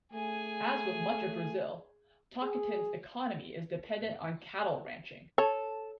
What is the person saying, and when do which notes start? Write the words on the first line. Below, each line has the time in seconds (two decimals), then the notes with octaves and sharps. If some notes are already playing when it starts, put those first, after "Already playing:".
As with much of Brazil, Tocantins' economy is dependent on cattle ranching.
0.13 A3 G#4 G#5
2.42 G#4
5.38 A4 C#5